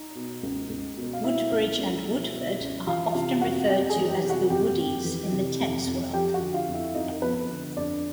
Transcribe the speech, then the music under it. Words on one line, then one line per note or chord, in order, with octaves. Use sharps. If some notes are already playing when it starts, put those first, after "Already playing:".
Woodbridge and Woodforde are often referred to as "The Woodies" in the tennis world.
Already playing: D#4
B2
C#2
C#2
B2
F5
B2 E4 E5
C#2
C#2
B2
B2
C#2
E3 F4 F5
C3 F4 F5
F2 F#4 F#5
F2 G4 G5
G#4 G#5
E3
G4 G5
C3
F#4 F#5
F2 G4 G5
F2
E3
C3
F2
F2
F3 G4 G5
F#4 F#5
D3
F4 F5
F2
E4 E5
F2 D#4 D#5
F3 B3 B4
D3
F2 D4 D5